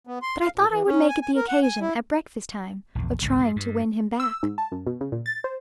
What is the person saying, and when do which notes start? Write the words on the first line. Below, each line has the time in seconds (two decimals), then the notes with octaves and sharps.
But I thought I would make it the occasion, at breakfast-time, of trying to win him back.
0.07 B3
0.22 C6
0.40 F5
0.56 A#2
0.70 E3
0.87 C#4
1.09 G#5
1.22 G#5
1.35 A#4
1.48 F#5
1.62 G#5
1.81 E4
2.95 A#1 E2
3.22 G#1 C#2 G2 D#3
3.40 G2
3.56 G2
4.20 E6
4.43 G#2
4.58 A5
4.72 F#2
4.87 B2
5.01 C#3
5.12 A#2
5.26 A6
5.44 C5